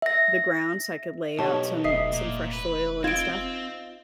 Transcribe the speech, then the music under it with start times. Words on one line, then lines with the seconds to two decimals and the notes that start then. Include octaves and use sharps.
the ground so I could lay out some some fresh soil and stuff,
0.02 E5 A#6
1.39 B1 D#4 G4 C#5 A5
1.84 F1 D#5 E5 D#6 C7
2.13 A#2
2.53 B4
3.04 C4 D#4 F4 G#6 D7